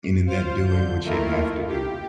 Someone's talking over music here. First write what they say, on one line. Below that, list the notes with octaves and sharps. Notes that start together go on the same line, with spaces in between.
And in that doing what you have to do,
F4 C5 F5
D3 G6
D#3 A3 A#3 E4 F4 A#4
G4